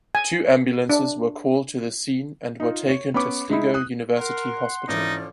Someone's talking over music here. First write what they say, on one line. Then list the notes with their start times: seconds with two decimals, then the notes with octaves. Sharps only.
Two ambulances were called to the scene and were taken to Sligo University Hospital.
0.15 G#5
0.90 D4
2.60 D#4 F4
2.89 C#5
3.14 B3 C#4 C#5 B5 D6
3.49 G#3 D#4 E4
3.74 D#6 F#6
4.18 A#4 F#5 C6
4.89 G#2 D3 E3 F3 C#4 D#4 D5